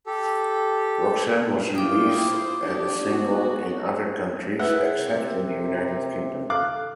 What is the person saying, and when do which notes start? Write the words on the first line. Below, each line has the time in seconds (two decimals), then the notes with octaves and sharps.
"Roxanne" was released as a single in other countries except the United Kingdom.
0.06 G4 A4
1.75 E4 F4 G5 D6 D#6
2.28 C5
2.63 D4 G4 D5
3.07 B3 F#4
4.59 E4 G#4 B4 F#5
4.98 C3 A#4
6.50 A4 F5 D6 F#6